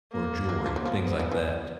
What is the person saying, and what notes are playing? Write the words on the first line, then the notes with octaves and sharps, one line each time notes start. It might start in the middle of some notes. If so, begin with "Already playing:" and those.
or jewelry, things like that. It's
A#3
F#3
F3
F#3
F3 B3
E3
E3